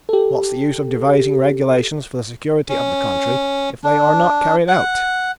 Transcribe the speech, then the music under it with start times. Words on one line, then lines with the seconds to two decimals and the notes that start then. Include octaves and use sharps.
What's the use of devising regulations for the security of the country if they are not carried out?
0.09 G4 A4
2.69 C#4
3.84 D4
4.68 F#5